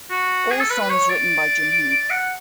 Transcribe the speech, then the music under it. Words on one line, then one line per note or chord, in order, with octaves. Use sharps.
All songs written by Jim Heath.
F#4
G#4
A4
B4
B4
C#5
D5
F#5